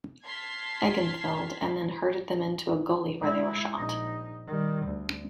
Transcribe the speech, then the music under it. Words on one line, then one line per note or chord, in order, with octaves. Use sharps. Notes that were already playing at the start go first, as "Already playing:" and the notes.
Eggenfeld and then herded them into a gully, where they were shot.
A5 C6 F6 G#6 B6 C7
G#3 E4
A#1 D#4
D#3 G3
D2